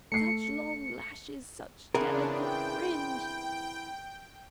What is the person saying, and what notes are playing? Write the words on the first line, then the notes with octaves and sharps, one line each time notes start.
Such long lashes, such delicate fringe!
A3 C7 C#7
C#3 E3 B3 C4 D4 G#4 A#4
G5